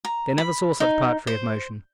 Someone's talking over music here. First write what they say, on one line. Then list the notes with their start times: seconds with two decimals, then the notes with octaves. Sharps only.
They never saw such poetry of motion.
0.05 A#5
0.38 B5
0.80 D#4
1.27 C5